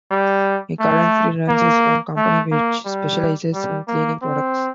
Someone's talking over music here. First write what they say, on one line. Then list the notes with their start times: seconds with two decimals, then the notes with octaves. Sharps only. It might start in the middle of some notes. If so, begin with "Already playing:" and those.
He currently runs his own company which specializes in cleaning products.
0.11 G3
0.80 A3
1.49 A#3
2.17 A3
2.52 A#3
2.85 G3
3.54 G3
3.88 A#3
4.22 C4